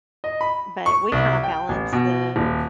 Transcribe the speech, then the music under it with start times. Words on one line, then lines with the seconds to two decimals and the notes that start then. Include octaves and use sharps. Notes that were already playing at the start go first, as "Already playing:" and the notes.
but we kinda balance the
0.24 D#5
0.41 B5
0.86 C#6
1.12 C2
1.43 G5
1.69 A1
1.93 B2
2.36 D#1